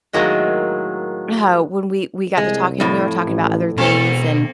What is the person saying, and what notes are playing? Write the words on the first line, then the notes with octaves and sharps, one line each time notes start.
uh, when we we got to talking, we were talking about other things, and
A2 D#3 F#3 G#3 A#3
C2 G#3
F2 A2
A1
E1 B2 A#3 C4 A4